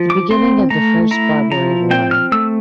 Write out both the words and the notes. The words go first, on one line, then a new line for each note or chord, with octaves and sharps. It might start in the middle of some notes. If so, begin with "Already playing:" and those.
The beginning of the First Barbary War.
Already playing: F3
D6
C4 C6
A3 A#5
E4 A#5
F3 A#5
C4 G5
F6
A3 E6